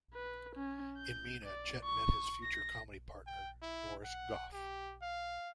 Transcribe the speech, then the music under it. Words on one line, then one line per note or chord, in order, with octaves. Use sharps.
In Mena, Chet met his future comedy partner Norris Goff.
B4
C#4
G6
D5
C#6
A#6
G5
E4
F#5
G4
F5